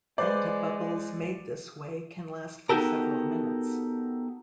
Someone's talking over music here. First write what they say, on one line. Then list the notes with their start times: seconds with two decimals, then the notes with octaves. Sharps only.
Antibubbles made this way can last for several minutes.
0.18 G#3 B4 C5 D5
2.69 B3 D#4 F#4 G4 A4 A#4